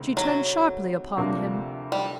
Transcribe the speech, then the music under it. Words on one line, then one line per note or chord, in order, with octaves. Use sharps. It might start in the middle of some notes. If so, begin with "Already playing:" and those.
She turned sharply upon him.
Already playing: D2 C3 D#3 G#3 C4
F#3
D2 C3 F3 A#3 D4
G3